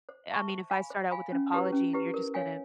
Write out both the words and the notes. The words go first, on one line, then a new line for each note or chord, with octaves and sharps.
I mean, if I start out with an apology and you're just gonna
C5
E5 A5 C#6
C5
F5 G#5 B5
C5
F5 G#5 B5
C#4
E4 G4 B4
C#4
E4 G4 B4
A#4
C#5 F5 G#5